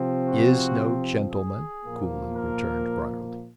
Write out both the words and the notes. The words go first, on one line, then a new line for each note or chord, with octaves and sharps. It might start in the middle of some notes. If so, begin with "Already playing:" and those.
"Is no gentleman," coolly returned Briarly.
Already playing: C3 F3 C4
F#4
G#4
A#2 F3 A#3
A#4